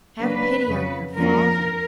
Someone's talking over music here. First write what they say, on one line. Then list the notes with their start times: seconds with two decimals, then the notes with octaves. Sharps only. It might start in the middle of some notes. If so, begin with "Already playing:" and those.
'Have pity on your father!'
0.20 C#3 F#3 A#3 D4 B4
0.67 F2 C#3 F#3
1.15 F2 D3 F3 A#3 C#4 A#4